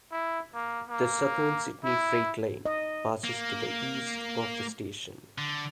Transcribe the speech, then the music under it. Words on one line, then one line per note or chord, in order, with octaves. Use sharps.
The Southern Sydney Freight Line passes to the east of the station.
E4
A#3
A#3
E4
D#5
A#3
D3